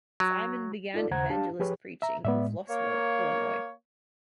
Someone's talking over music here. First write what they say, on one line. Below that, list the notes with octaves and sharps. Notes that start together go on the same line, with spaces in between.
Simon began evangelist preaching in Flossmoor, Illinois.
F#3
D#4 F4 A4 D5
D#2 C#3 C5 F#5 A#5 G#6
D4 G4 F5 A5
F3 G4 G#4 B4 C#5
E5 A#5
A2 G#3 B3 D5 E5
A#3 C#5